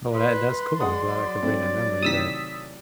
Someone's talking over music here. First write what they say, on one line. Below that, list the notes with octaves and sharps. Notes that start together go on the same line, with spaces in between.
Oh, that that's cool, glad I could bring that memory back.
B4 C6
F#3 G#3 D5 F#5 D#6
A3 C4
A2 C3 D#3 D#6 E6 B6